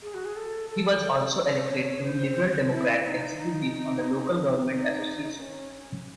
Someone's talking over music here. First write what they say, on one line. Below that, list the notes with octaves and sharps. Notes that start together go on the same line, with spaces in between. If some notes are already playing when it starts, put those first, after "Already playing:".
He was also elected to the Liberal Democrat executive on the Local Government Association.
G#4
F#4
G#4
A4
A4
C#5
C5
C#5
C5
E4
E4
D#4
D#4
D#4
C#4